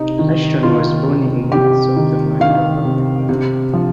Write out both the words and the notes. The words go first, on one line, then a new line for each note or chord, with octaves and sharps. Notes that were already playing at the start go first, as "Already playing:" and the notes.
Ashton was born in Thompson, Manitoba.
Already playing: C3 D#4
D#3
D#3 F4
C3
C3 G4
D#3
D#3 F5
C3
C3
F3